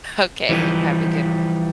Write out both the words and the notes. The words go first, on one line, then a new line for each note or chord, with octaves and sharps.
Okay, h have a good one.
E3 F3 G3 D#4